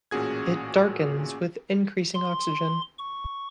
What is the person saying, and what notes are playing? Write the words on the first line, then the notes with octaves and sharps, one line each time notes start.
It darkens with increasing oxygen.
A1 A#2 C#4 F#4 G#4 G#6
C6
C#6